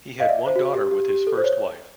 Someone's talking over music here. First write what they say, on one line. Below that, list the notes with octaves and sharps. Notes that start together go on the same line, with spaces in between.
He had one daughter with his first wife.
D#5 F5
D5 E5
C5
F#4
G4
G4
G4
A4
C5
C#5